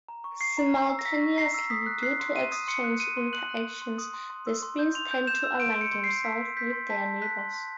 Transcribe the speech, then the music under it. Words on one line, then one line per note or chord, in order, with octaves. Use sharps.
Simultaneously, due to exchange interactions the spins tend to align themselves with their neighbours.
A#5
C#6
C#6 C7
A#5
A#5
E6
A#6
A#5 B6
C#6
A#5 C7
E6
D#6 B6
F#6
F#6 C7
C6
C6 D#7
D#6
C6 C#7
F#6
F#6 D#7
C6
F#6 F#7
F#6
C6
C6
D#6
C6
C6
E6
C6
G6
C6 F7
G6
G6 E7
E6
C6 D7
C6
C#7
C6
C7
C6
E6 B6
C6
G6 B6
C6
A5 B6
C6
F#6 B6
C6
C6